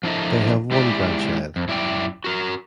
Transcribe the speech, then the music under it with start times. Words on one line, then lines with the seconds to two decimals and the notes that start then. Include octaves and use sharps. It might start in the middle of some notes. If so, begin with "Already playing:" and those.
They have one grandchild.
0.03 F3 D4 E4 A4 A#4 D#5
0.71 G#3 E4 G4 D5
1.56 F2
1.68 F#2 E4 D5 G5
2.24 F#4 A#4